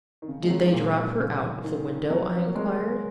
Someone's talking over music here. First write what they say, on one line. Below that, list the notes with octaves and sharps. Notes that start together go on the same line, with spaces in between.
"Did they drop her out of the window?" I inquired.
D#3
C#3
G#3
F#3
D#3
C#3
A#2
C#3
D#3
F#3
C#4
A#3
G#3